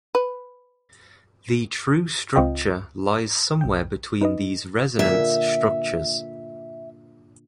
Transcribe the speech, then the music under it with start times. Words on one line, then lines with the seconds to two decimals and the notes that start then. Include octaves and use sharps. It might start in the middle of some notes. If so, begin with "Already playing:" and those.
The true structure lies somewhere between these resonance structures.
0.15 B4
2.35 C#2 C4 F4 D#5 G5 A#5
3.61 B1 G5
4.21 D#4 B4 D#5
4.99 A#2 D3 E5 G#5